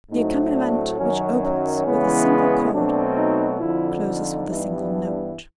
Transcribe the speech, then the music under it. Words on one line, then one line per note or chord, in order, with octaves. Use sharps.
The accompaniment, which opens with a single chord, closes with a single note.
A2 F#3 A3 C4 D#4
D4
F#2 D#3 F#3 C#4
C#4
E2 C#3 E3 G#3 B3
B2 F#3 A3 C4 D4
D#4
F2 D3 F3 E4
D#4
G2 E3 G3 B3
D4